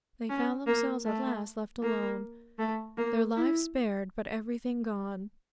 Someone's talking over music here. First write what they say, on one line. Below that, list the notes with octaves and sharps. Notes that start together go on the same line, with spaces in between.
They found themselves at last left alone, their lives spared, but everything gone.
C#4
A#3
A3
A#3
A3
A#3
E4